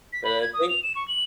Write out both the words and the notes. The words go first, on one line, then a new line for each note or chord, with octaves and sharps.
But I think
B6
B5
G#6
D#6
F7
E7
C#6
F#7